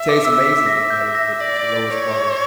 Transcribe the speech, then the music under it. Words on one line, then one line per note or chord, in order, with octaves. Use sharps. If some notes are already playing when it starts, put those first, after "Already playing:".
tastes amazing, but it's the it's the lowest quality.
Already playing: E5
D6
E6
B6
A#6
G6
A#6
D5 A#6
C#5